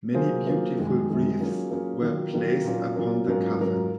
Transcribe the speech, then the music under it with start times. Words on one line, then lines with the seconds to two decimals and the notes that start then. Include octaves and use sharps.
Many beautiful wreaths were placed upon the coffin.
0.14 F#3 A#3 F4 G#4 C5
0.45 F#3 A#3 F4 G#4 C5
0.77 F#2 D#3 G#3
1.09 F#2 D#3 G#3
1.40 F#3 A#3 C#4 F4 G#4
1.71 F#3 A#3 C#4 F4 G#4
2.02 D#3 F#3 A#3 F4
2.34 D#3 F#3 A#3 F4
2.65 A#2 F#3 C#4 F4 A#4
2.96 A#2 F#3 C#4 F4 A#4
3.28 G#2 F#3 C#4 F4 A#4
3.58 G#2 F#3 C#4 F4 A#4